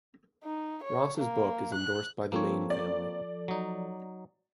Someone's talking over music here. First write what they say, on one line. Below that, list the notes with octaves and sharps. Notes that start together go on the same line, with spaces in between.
Ross's book is endorsed by the Mayne family.
D#4
C#5
A#3
F#6
F3 A#3 C4 A4 C#5
D5
F#3 D#4